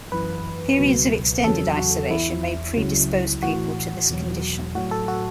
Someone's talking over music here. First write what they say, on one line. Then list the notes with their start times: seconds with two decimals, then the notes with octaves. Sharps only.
Periods of extended isolation may predispose people to this condition.
0.12 F#2 E3 B4
0.78 C#2 B2 F#3
1.44 E2 C#3 F#3 A4
1.77 F#4
2.10 E2 E3 E4
2.76 C#2 C#3 F#3
3.42 A2 E3 F#4
4.09 E2 B2 F#3
4.75 A2 F#3 F#4
4.91 A4
5.08 F#4